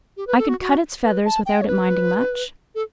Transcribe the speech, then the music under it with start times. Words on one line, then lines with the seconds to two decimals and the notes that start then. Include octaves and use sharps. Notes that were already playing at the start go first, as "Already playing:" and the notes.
I could cut its feathers without it minding much.
0.17 G4
0.27 B4
0.38 A4
0.49 F#4
0.60 F#4
1.03 B4
1.25 A5
1.46 G5
1.61 C#5
1.67 B4
2.75 A4